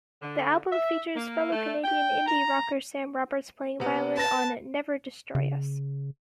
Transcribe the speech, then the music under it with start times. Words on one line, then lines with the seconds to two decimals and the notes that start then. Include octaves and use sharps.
The album features fellow Canadian indie-rocker Sam Roberts playing violin on "Never Destroy Us".
0.21 D3
0.71 E5
1.16 A#3
1.52 A3
1.84 G5
2.27 A#5
3.80 C3 B3
4.17 B4 A5 A#6
5.35 C#3